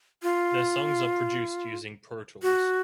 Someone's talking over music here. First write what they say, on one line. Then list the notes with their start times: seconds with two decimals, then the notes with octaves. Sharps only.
Their songs are produced using Pro Tools.
0.23 F4
2.42 F#4